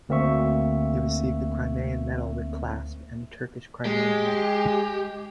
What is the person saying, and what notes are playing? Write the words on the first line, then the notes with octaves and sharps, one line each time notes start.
He received the Crimean Medal with clasp, and the Turkish Crimea Medal.
D2 A#3 C4 E5 C#6
G#3 G4